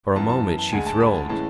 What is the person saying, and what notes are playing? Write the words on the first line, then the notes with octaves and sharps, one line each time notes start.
For a moment she thrilled.
F#2 E3 B3 A5
A5
A5
D2 D3 G#3 G#5
A5
B5
A5
A2 E3 G#3 C#4 A5